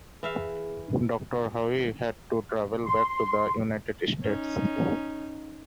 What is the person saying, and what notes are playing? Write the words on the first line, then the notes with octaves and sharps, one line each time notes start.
Doctor Howe had to travel back to the United States.
E3 G#4 E5 F5
C6
C#4 D#4